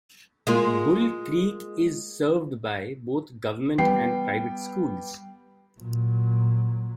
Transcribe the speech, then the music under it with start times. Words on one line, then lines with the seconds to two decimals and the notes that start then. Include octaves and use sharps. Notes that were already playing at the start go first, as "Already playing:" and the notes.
Bull Creek is served by both government and private schools.
0.47 G#3 A#3 F4
3.78 G3 B3 G5 C7
5.80 A#2 F#3